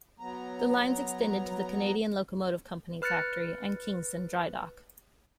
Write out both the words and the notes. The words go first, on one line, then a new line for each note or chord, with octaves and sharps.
The lines extended to the Canadian Locomotive Company factory and Kingston Dry Dock.
F#3 B3 A#5
B4 F6 F#6 A6 C#7